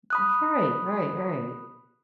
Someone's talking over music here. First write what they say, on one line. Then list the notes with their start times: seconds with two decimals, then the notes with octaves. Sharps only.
That's right, right, right.
0.10 B5 D#6 F#6